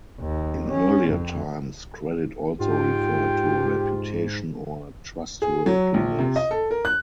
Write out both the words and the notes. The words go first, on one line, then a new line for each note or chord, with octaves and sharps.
In earlier times, credit also referred to reputation or trustworthiness.
D#2
C#4
F2
G#2 F4 G4 G5
G#4
F#3
A#1
C3
D#5
A4
A#4
F#6